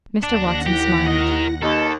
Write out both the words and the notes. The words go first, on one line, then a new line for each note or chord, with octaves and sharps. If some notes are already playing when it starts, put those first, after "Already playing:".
Mr. Watson smiled.
D#2 D4 F#5 A#6
E4 G4
A#4 D#5
D#2 A4 D#5